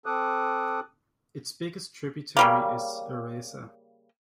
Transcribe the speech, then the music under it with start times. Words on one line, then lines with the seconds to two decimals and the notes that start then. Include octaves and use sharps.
Its biggest tributary is Aresa.
0.06 C4 A4 D6 D#6 F#6
2.37 C#3 G3 A#3